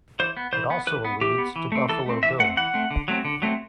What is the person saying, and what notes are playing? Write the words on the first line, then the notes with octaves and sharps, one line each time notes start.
It also alludes to Buffalo Bill.
E3 C5
B3
E3 C5
B3
E3 B4
B3
E3 G4
B3
E3
A3 C4
E3 A4
A3 C4
E3 E5
A3 C4 F#5
E3 F#5
A3 C4
D3
F#3 A3 C4
D3
F#3 A3 C4